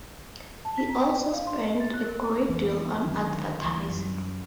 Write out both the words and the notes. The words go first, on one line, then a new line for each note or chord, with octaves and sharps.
He also spent a great deal on advertising.
A5
B6
A#5
G5
D5
F5
C6
D#5
A6
F#6
A#4
F2 E3 A#3 B3
D3 D#3 F#3
D2 E3
F#2